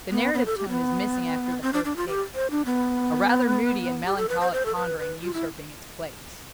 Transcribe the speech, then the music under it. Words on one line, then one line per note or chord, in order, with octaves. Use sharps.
The narrative tone is missing after the first page, a rather moody and melancholic pondering usurping its place.
B3
B3
A4
G4
B3
C4
D4
D4
F4
G4
C5
D4
B3
G4
A4
B4
C5
C5
A4
B4
B4
F4
E4